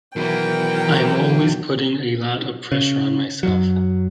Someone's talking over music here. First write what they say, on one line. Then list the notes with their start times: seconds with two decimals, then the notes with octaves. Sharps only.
I'm always putting a lot of pressure on myself.
0.16 E2 B2 D#3 E3 F#3 A#4 G5
2.72 C#3
3.43 F#2 F#3